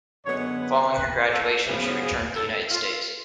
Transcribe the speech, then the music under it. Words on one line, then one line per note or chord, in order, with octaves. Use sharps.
Following her graduation, she returned to the United States.
F#2 D3 G#3 B3 C#5
B4
B4
A4
F#2 C#3 F3 B3
G#4
A4
F4